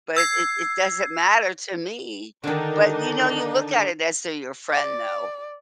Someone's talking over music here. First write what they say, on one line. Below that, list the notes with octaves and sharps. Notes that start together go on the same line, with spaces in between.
but it it it doesn't matter to me." But, you know, you look at it as to your friend though,
E6 G#6 C7
D3 D#3 D4 D#4
D5